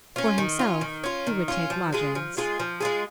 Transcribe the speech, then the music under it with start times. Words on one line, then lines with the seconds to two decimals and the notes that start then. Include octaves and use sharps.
For himself, he would take lodgings.
0.16 C#4 F4
0.38 D#3
0.59 C#4 F4
0.81 D#3
1.04 C#4 F4
1.27 D#3
1.48 C#4 F4
1.70 F3
1.92 G#3 F4 G#4
2.15 F3
2.37 G#3 F4 G#4
2.60 F3
2.81 G#3 F4 G#4